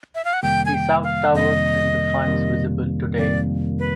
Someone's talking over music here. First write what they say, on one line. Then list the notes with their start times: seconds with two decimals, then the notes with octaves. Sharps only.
The south tower and the funds visible today.
0.15 E5
0.25 F5
0.33 F#5
0.43 F2 C3 D#3 G3 A#3 G5
0.66 G#5
0.74 G5
1.04 F5
1.34 F2 C3 D#3 G3 A#3 D#5
2.26 F2 C3 D#3 G3 A#3
3.18 F2 C3 D#3 G3 A#3 D5
3.79 B4